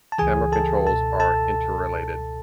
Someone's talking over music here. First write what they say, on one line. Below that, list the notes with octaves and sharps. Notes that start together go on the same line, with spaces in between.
Camera controls are interrelated.
A5
C#2 C#3 E3 G#4 G#5
A4 A5
C#2 B2 A4 A5
A4 A5